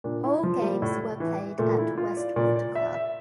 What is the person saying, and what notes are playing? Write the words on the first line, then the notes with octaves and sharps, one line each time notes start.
All games were played at Westwood Club.
A#2 D4
E4
F3
G3
A2
E3
A#2 A3
E4
F4
D5
A#2 D5
D5
E5
E5